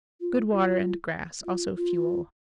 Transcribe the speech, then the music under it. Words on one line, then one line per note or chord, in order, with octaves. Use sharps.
Good water and grass, also fuel.
F4
F4
F4
F4